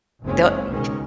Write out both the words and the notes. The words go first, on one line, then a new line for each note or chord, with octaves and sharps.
the e
F#1 D#2 G#3 C4 C#4
C#2 B2 D#3 G#3 C#4